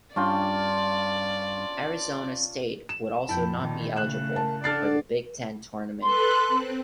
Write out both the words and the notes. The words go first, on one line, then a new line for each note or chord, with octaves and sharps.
Arizona State would also not be eligible for the Big Ten Tournament.
G2 C#4 D4 F4 D5 G5
E7
F2 E4 G5 A5
A#2 D#3
C#3 A3 F#6 E7
A#4 A5
D4 A4 D5 F#5 F6 A6 C7
A4 B4 C6 F#6
C4